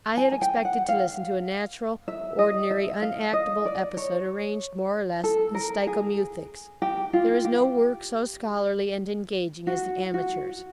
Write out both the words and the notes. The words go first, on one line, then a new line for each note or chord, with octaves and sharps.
I had expected to listen to a natural, ordinary, unactable episode arranged more or less in steichomuthics. There is no work so scholarly and engaging as the amateur's.
G#5
G#5
G5
F#5
F5
E5
D#5
E5
F5
D#5
D5
C#5
A4
A#4
G#4
G4
F4
G4
F#4
F#4